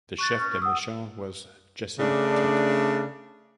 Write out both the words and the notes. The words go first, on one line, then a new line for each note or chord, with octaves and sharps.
The chef de mission was Jesse Teat.
C#6 F#6 A6
C#4
F#5 D#6 E6
C#3 A3 D4